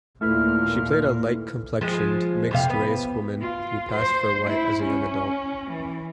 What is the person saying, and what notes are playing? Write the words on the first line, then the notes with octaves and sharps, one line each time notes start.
She played a light-complexioned mixed-race woman who "passed" for white as a young adult.
D#2 A#2 A3 E4 B4 F6
F3 G#3
F2 C3 F5
B3
F4
C5
E4
C#4
E3